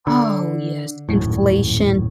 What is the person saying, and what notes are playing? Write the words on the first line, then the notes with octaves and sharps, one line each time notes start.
Oh, yes, inflation.
D3
D#1 F#2 A2